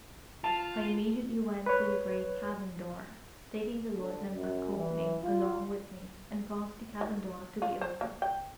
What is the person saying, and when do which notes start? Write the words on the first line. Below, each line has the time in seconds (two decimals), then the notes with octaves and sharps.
I immediately went to the great cabin door, taking the lieutenant that called me along with me, and caused the cabin door to be opened.
0.44 F4 A5
1.66 B4 C#5
3.95 D3
4.32 F#2
4.75 E3
5.22 F4
7.01 D#3
7.62 F4
7.81 C5
8.01 A#3
8.22 G5